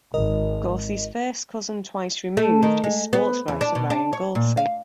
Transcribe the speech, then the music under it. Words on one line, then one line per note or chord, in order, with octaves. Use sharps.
Gorcey's first cousin, twice removed, is sports writer Ryan Gorcey.
G#1 A#4 D#5
A3
D#3
G#3
B3
E2
D4
B2
D4
C#5
A#2
F5